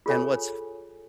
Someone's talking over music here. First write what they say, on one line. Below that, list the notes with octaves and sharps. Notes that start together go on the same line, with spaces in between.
And what's f
F4 G#4 A4 C5 C#5 G#5